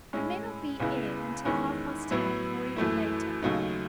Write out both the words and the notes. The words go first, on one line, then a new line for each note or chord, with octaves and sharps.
I may not be in until half-past ten, or even later.
A2 G#3 C#4 E4
C#2 C#3 G#3 B3 E4
E2 D#3 G#3 C#4 E4
A2 F#3 B3 E4
F#2 E3 A3 E4
D#2 C#3 F#3 A3 D#4